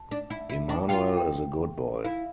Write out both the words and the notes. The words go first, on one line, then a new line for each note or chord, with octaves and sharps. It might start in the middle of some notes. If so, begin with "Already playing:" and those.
Immanuel is a good boy.
Already playing: A5
D4
E4
E4
D4
F4 G5
G5
E4 F5